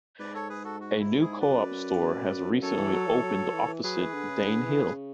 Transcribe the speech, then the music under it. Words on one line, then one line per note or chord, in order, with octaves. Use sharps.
A new Co-op store has recently opened opposite Dane Hill.
G#2 B4 D5
A4 C#5
G#4 B4
F#4 A4
F#4
E4
E4 G#4
F#2 B4 D5
F#2 A4 C#5
E3
F#3
E3
F#3
F#3
E3
E3
F#3 G#4 B4
E3
D3
C#3
D3
E3
C#3